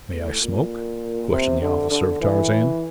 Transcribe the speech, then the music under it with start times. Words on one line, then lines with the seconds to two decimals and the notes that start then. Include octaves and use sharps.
"May I smoke?" questioned the officer of Tarzan.
0.12 A2
0.42 A#2
1.31 C3
1.61 D3
1.91 D3
2.21 E3